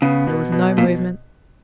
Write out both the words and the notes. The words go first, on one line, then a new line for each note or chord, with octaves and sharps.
There was no movement.
C#3 B3
B2
B2
A#2